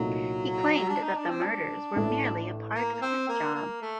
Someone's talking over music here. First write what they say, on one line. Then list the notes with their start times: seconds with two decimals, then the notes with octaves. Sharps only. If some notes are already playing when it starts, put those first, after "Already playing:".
He claimed that the murders were merely a part of his job.
Already playing: C2 A#2 F#3 A3 D#4
0.89 D4
1.03 D#4
1.16 D4
1.29 C4
1.42 D4
1.96 A1 A2 A3
2.75 A#3
2.94 A#3
3.02 C4
3.29 A#3
3.54 A#3
3.82 A3